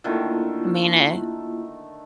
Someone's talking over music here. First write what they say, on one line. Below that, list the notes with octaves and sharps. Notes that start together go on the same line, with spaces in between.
I mean it
D3 D#3 A3 A#3 E4 F4